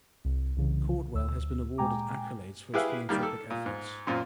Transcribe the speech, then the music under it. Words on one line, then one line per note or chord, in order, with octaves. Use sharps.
Caudwell has been awarded accolades for his philanthropic efforts.
C2
C2 C#3 E3
D2 E6
A#2 G#3 G5 G#5 A#5 D6
E4 G4 G#4 B4 E5 F5
D#3 G3 A#3
A4
A#2
G#2
F#2 A#2 C4 F4